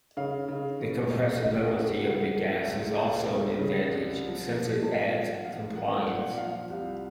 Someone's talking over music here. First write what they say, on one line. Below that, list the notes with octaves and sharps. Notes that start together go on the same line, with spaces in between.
The compressibility of the gas is also an advantage since it adds compliance.
C#3 F5
C#3
C#3
C#2 D#5
F5
D#5
C#3
F#5
C#2
C#3 F#5
C#2
C#2
C#2 A5
C#2
C#3
C2
F3
F3
A#2 A5
F3 F#5
F#5
F3 F5
A#3 F#5
A#2 F#5
F3 F5
C2